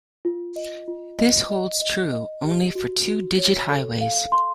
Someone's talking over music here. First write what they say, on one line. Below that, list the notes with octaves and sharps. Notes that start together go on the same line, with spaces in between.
This holds true only for two-digit highways.
F4
D#5
F4
D#5
D#5
D#5
D#5
G4
F#4
F#4
C#5
A4
F5
C6